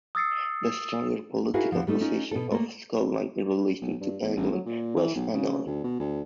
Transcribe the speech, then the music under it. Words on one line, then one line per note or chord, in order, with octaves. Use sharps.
The stronger political position of Scotland in relation to England was another.
D#6 E6 A6 C7 C#7
D#4 E4 F#4 G#4 A#4 F5
E2 G#2 F3
G3 A3 D#4
C#4 D#4 F4
B2 A4
A3 A#3
B1
G2
E2
A1
F#3
A#2
E3
B1
C#3
D2
B2
D2